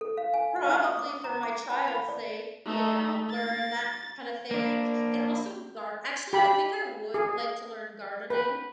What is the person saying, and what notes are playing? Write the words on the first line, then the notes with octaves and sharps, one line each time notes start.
probably for my child's sake, you know, learn that kind of thing," and also, gar actually, I think I would like to learn gardening,
A4
F5
G#5
F#5
D#4
D#6
D6
A#5
D6
A5
B5
D5
A3 D#4
A6
A#3 D4
G4 B5
G#4
B4